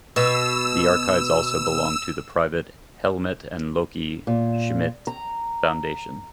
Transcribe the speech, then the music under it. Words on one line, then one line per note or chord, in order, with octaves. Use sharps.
The archives also belong to the private "Helmut and Loki Schmidt Foundation".
B2 E6
A#2
A#5